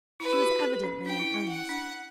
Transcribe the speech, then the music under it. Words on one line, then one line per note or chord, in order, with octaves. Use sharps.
She was evidently in earnest.
E4 B4
G4
F#4
A4
C#4
D4 G5
E4
E4
F#5
D4